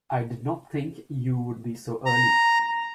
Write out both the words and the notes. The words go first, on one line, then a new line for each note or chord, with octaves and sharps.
I did not think you would be so early.
A#5